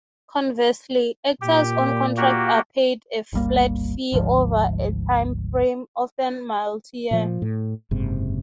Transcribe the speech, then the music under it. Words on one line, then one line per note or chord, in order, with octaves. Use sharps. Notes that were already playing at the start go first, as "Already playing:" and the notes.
Conversely, actors on contract are paid a flat fee over a timeframe-often multi-year.
A#2 G4
A#3 F#4 G4
G1 C#2 G3 A#3
G#1 D2 G#2 F3
A#2 F3
A2
F#1 G#2 C3